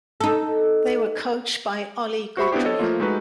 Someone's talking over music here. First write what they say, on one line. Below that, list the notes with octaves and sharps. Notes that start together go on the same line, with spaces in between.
They were coached by Ollie Guidry.
D#4 A4
F#4 C5 E5 B5 C#6
B3 C4 D4 E4 G4 C5
A4 C#5 D#5
F3 A3 A#3 F4
G#3 A3 D#4 F#4 B4